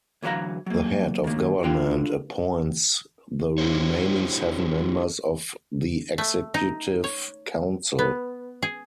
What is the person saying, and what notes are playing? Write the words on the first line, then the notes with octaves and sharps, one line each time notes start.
The Head of Government appoints the remaining seven members of the Executive Council.
D2 E3 F#3 C#5 F5 A#5
F#3 A#3
D#3 A#3
D3 F4 G5
D4 E4 F#4 G4 C5 C#5
A3
D#4
C#5
B3
G#4